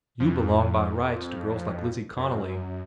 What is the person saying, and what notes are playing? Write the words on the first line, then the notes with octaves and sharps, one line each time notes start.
You belong by rights to girls like Lizzie Connolly.
F2
F#2